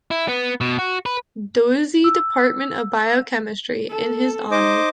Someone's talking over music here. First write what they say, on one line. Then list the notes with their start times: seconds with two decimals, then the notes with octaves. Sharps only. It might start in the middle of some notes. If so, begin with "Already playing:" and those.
Doisy Department of Biochemistry, in his honor.
0.11 E4
0.28 B3
0.61 B2
0.79 F#4
1.06 B4
2.04 E6
3.89 A4
4.51 D#4 C5 D#5 D6